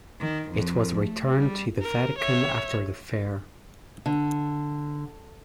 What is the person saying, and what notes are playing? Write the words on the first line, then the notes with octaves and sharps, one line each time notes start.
It was returned to the Vatican after the fair.
D#3
F2
A3
G3
A#4
C#5 E5
D3